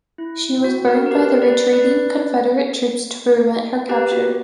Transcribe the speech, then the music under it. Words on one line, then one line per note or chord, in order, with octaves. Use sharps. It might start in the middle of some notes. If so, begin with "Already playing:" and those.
She was burned by the retreating Confederate troops to prevent her capture.
E4
E4
F#4
F#4 A#4
A#4
G4 B4
B4 D5
B4 D5
G4 B4
F#4